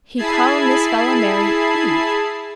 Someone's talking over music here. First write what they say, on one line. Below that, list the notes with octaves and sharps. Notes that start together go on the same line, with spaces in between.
He call him this fella Mary, Eve.
E4 G#4 A5 B5 G#6 C7